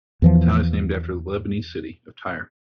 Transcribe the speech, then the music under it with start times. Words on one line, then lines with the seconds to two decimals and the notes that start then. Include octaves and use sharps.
The town is named after the Lebanese city of Tyre.
0.22 E2 E3 F3